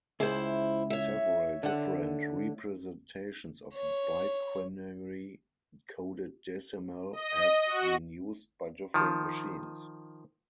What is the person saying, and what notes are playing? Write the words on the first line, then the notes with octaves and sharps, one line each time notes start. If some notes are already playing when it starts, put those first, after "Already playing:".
Several different representations of bi-quinary coded decimal have been used by different machines.
C#2 E4 G#4 C5
C#5 E5
D3 F#5
C#5
D#5
F#4
D#3 F3